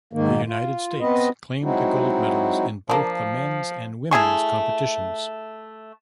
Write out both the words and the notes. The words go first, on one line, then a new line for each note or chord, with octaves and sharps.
The United States claimed the gold medals in both the Men's and Women's competitions.
G#2 D#3 A#3
F4
B3 C4 B4 D#5
F#3 G#3 C4 D#4 E4 F#4
F3 A#3 D4
A3 E4 G#4 C#6